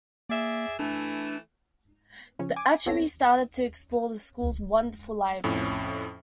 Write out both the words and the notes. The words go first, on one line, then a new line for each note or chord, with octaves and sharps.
Achebe started to explore the school's "wonderful library".
A#3 G#4 D5 E5
E3 A3 D4
C#3 F3 C#4
G#5 D6
G1 B3 C4 A4 C#5 A#6
F2 A2 C#4